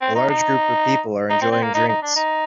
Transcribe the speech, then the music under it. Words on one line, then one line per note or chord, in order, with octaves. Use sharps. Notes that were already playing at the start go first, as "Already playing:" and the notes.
A large group of people are enjoying drinks.
C4
D#4
D#4
D#4
C4
C4
A#3
D#4
D#4
D4
D#4